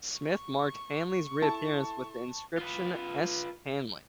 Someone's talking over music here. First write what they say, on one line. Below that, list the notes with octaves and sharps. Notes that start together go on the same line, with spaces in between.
Smith marked Hanley's reappearance with the inscription S Hanley!
C#6
E4 A4 A5
F4 B4